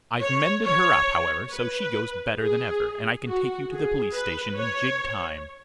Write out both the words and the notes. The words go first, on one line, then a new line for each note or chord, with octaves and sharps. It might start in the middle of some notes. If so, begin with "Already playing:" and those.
I've mended her up, however, so she goes better than ever, and I can take you to the police station in jig time.
C#5
C#5
B4
G#4
F#4
G#4
B4
C#5